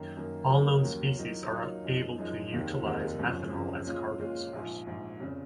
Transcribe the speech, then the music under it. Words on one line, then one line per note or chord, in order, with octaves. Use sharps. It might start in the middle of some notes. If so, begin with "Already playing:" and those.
All known species are able to utilize methanol as carbon source.
Already playing: F#2 D#3 A#3
F#2 D#3 A#3
D#2 D#3 F#3 A#3 C#4
D#2 D#3 F#3 A#3 C#4
A#2 F#3 A#3 D#4
A#2 F#3 A#3 D#4
F#2 F3 G#3 D#4
F#2 F3 G#3 D#4
F1 D#2 D#3 G#3 D#4
F1 D#2 D#3 G#3 D#4
G#1 F#2 C#3 F3
G#1 F#2 C#3 F3
A#2 G#3 C#4 F4
A#2 G#3 C#4 F4
A#1 G#2 F3
A#1 G#2 F3
F1 C#3